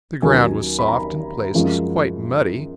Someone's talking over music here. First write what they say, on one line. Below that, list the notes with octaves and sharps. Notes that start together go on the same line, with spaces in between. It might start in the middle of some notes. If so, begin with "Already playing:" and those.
The ground was soft in places, quite muddy.
D#2 D#3 F#3 C#4 G#5
B5
A#5
F#2 F3 G#3